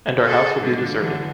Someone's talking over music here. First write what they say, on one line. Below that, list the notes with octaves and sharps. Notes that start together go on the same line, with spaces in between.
And our house will be deserted.
F#4 G#4 A4
G#2 D3 G3 F4
D3 E3 F#3